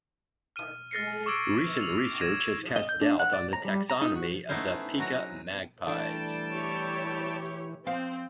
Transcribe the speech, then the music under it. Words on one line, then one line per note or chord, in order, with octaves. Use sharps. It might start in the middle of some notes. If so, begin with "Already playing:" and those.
Recent research has cast doubt on the taxonomy of the "Pica" magpies.
F6 D#7
F6 A6 A#6 C7 C#7
C#6 D6 E6 G#6 D7
F7 F#7
G#6 A#6 D#7 E7
D#5
G6
D4
F#5
D5
A#5
G3
A#5
D#4
F#4
A3 B3 C#4 D#4 E4 C5
F#3 F#4 A#5
E3 G3 A3 D4 G5 A5
E4 G4 C#5
F3 C4 C5 F5